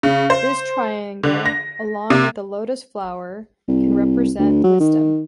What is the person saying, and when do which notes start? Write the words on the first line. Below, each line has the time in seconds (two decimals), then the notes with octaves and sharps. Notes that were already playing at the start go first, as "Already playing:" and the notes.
This triangle, along with the lotus flower, can represent wisdom.
0.03 C#3
0.30 C5
1.23 D3
1.46 A#6
2.10 C3
3.68 C2
4.39 D2
4.64 F#3
4.80 D#3